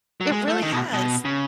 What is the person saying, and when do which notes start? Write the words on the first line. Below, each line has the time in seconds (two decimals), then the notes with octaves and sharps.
It really has,
0.21 F#3
0.32 G#3
0.48 A3
0.62 D#3
0.72 B2
0.93 B2
1.25 C#3